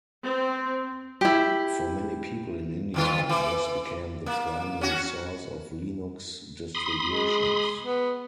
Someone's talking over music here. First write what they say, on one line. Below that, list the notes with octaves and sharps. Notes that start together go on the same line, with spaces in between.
For many people in India, this became the primary source of Linux distributions.
C4
E4 G4
F2 D#3 F4
E3
A#3
C#4 F#4
B5 C6 D#6
G#3
B3